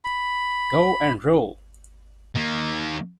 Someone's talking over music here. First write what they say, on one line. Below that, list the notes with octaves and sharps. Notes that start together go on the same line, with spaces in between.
Go and rule!
B5
D#3 A#3